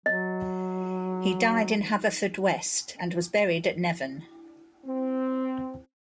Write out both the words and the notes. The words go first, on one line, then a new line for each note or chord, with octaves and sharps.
He died in Haverfordwest and was buried at Nevern.
F#3 D#5
C4